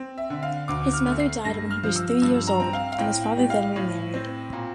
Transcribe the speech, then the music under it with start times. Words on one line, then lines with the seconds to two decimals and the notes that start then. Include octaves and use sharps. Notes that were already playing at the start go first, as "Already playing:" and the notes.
His mother died when he was three-years-old, and his father then remarried.
Already playing: C4
0.18 E5
0.30 D3
0.43 F5
0.68 D2 D6
0.93 F6
1.06 A3
1.20 C7
1.45 G2 A#6
1.71 F6
1.83 F3
1.96 E6
2.22 G2 E6
2.47 A#5
2.60 C4
2.73 F5
2.92 F5
2.98 A2 G5
3.24 G5
3.37 G3
3.50 F5
3.76 A2
4.14 C4
4.53 A#2